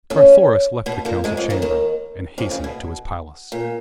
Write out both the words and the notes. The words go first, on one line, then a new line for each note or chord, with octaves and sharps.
Carthoris left the council chamber, and hastened to his palace.
C#3 C#4
B2 B3
A#2 A#3
G#2 G#3
F2 F3
D#2 D#3
D#2 D#3
F2 F3
C#3
B2
A#2